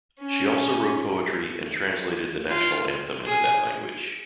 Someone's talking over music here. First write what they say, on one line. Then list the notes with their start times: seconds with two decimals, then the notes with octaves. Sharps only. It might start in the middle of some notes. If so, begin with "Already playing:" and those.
She also wrote poetry and translated the national anthem into that language.
0.20 C#4
2.49 F4
3.26 G#4